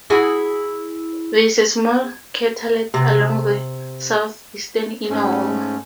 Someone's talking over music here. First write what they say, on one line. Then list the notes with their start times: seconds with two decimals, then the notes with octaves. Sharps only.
There is a small craterlet along the southeastern inner wall.
0.10 E4 F#4 G#4
2.94 C3
5.10 G#2 A3 C#4